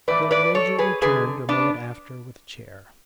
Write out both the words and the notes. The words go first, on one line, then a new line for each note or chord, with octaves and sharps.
The Major returned a moment after with a chair.
A2 E3 B4 D5
B4 D5
A4 C#5
G#4 B4
F#2 D3 G#4 B4
B3 D4